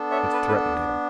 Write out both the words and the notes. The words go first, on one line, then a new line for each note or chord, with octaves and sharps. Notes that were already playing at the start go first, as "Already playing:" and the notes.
It threatened him.
Already playing: B3 D4 A4
C#5 E5
B4
B4